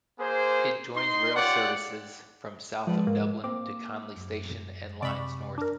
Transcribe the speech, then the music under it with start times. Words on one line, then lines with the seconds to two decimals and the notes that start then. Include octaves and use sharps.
It joins rail services from south of Dublin to Connolly Station and lines north.
0.20 A#3 G#4 C5
0.95 D#4 C6
1.35 F4 G4 C#5 D5 F#5
2.87 F3 G#3 B4 D5
3.07 G#2 A#3
3.44 A#3 C4 D6
4.16 F#2
5.03 C3 D5 B5 C#6
5.58 D4 A#4